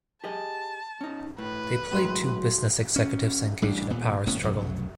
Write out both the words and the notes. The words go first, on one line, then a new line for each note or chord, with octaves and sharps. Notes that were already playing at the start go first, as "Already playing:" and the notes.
They played two business executives engaged in a power struggle.
G4 G#4 D#5 A5
C#4 D#4
A2 B4
A2 F#3 G#3 F#4 C6
C#4
A1 G3 D4
D#1 A#2 B3
D1 A2 B3 C#4
F1 B1 F#2 F#3